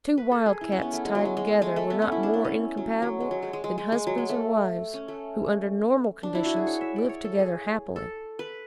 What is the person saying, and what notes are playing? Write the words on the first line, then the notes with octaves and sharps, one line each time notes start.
Two wildcats tied together were not more incompatible than husbands and wives, who under normal conditions lived together happily.
B4
A4
G#4
E4
C#4
B3
A3
G#3
F#3
G#3
G#3
A3
G#3
A3
B3
C#4
E4
D4
D4
C#4
F#3
F#3
G#3
F#3
G#3
G#3
G#3
G#3
G#3
F#3
G#3
A3
C#4
A3
D4
E4
F#4
G#4
C#5
E5
D5
C#5
A4
G#4
A4
B4